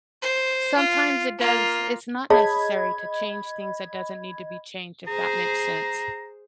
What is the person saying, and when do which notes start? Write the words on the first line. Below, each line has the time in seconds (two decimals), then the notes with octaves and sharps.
sometimes it does it's not necessary to change things that doesn't need to be changed, if that makes sense.
0.22 C5
0.77 F4
1.38 A#3 F4
2.30 G#4 C#5 D#5 A5 B5 G#6
5.07 G#4 C5 A#5